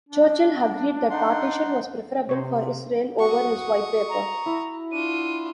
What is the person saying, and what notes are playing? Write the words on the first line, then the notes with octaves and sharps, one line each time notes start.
Churchill agreed that Partition was preferable for Israel over his White Paper.
D4
D#4 F#5 C6
C3 C5 C#5
F#4 F#5 C#6 D#6
A#5
E4
D4 F4 D#7